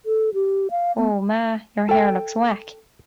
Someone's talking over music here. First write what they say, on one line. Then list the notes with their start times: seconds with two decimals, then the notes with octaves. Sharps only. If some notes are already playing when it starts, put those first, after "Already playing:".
Woah, ma, your hair looks wack.
0.06 A4
0.34 G4
0.71 F5
0.98 B3
1.89 A4 G5